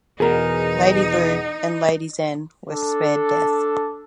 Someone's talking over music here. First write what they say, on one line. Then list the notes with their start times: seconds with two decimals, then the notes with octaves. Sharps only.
Lady Liu and Lady Zhen were spared death.
0.20 E2 B2 D#4 G#4 A#4
2.70 D4 A4